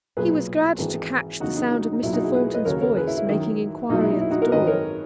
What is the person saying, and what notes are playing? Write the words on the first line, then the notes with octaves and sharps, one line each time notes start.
He was glad to catch the sound of Mr. Thornton's voice, making enquiry at the door.
B1 A#2 F#3 G#4 B4
G#1 G#2 E3
E2 C#3 F#3 D#4 F#4
D#4 F#4
D#4 F#4
D#4
D#4
B1 A#2 F#3 E4
D#4 F#4
E4 G#4
G#4 B4
B4 D#5
D#2 C#3 F#3 A#4 C#5
A#4 C#5
G#4 B4
E4
E4
F#2 D#3 F#3
B1 A#2 F#3 D#4
E4
D#4
E4
D#4 F#4
F#4 A#4
G#1 F#2 D#3 F#3 B4 D#5
A#4 C#5